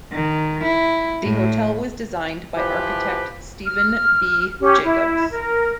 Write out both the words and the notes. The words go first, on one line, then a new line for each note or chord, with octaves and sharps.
The Hotel was designed by architect Stephen B. Jacobs.
D#3
E4
A2
E3 F3 G4 B4
F6
C#4 G4
E4
A#4